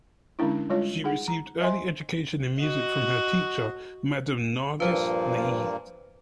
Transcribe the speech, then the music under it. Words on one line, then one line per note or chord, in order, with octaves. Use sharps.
She received early education in music from her teacher, Madam Nargis Naheed.
D3 G#3 C#4 D4 E4
G3 G#3 F4 C#5
D#4 G#4 F#5
A#5
C5 D#5 E5 G#5 C6
F#4 D#5
G2 A#2 F3 A#3 B4 C5